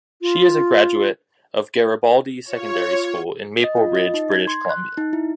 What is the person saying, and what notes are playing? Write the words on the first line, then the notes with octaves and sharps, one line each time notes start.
She is a graduate of Garibaldi Secondary School in Maple Ridge, British Columbia.
F4
F4 C#5
D#5
F4
D#5
D#4
G#6
C6
F#6
D#4
E4